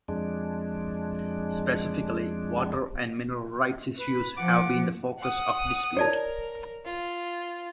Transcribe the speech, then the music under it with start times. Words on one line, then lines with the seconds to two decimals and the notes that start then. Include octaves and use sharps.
Specifically, water and mineral rights issues have been the focus of dispute.
0.08 F2 G#3 D4
3.98 B4
4.37 F3 F#5 D6
5.19 F#5 D#6
5.97 A#4 C#5 D5 A5
6.85 F4